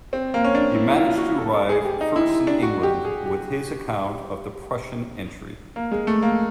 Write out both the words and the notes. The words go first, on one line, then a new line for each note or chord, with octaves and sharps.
He managed to arrive first in England with his account of the Prussian entry.
C4
A#3
C#4
D4
E4
E4
F4
F4
F#4
A4
A4
G#4
G4
D#4
E4
D4
F#4
G4
G#4
G4
A#3
G#3
A3
A#3